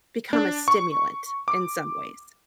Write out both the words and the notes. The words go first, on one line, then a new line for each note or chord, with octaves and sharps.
become a stimulant in some ways.
D4
C#6
D6